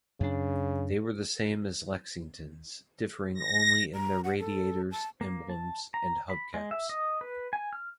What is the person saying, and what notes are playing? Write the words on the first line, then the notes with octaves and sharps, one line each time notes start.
They were the same as Lexingtons, differing only in their radiators, emblems, and hubcaps.
F#2 C#3 D4
A#6
A#5
F#5
A4
A5
A#3
A5
A#5
B5
G#3
E5
D#5
B4
G#5
F6